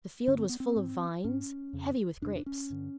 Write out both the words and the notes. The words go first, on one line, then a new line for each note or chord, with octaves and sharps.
The field was full of vines heavy with grapes.
G2 D3 C#4
C4
B3
C4
G#2
G#2 C#4
F2 C#3
F2 C#3 D4
D4
C#4
G2 D3